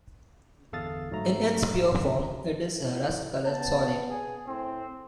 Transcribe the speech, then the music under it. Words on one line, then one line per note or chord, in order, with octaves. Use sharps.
In its pure form it is a rust-colored solid.
G1 E2 A4 F5 D#6 A6
G#2 F#3 A3 A#5
G1 D#2 D#3
A2
B3 A5
G#4
A2 C4